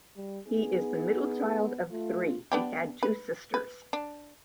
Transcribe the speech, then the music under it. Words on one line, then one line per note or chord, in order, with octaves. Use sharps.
He is the middle child of three; he had two sisters.
G3
B3 D#4 G#4
A3 F4
B3 D4 G4
B4
B4
D4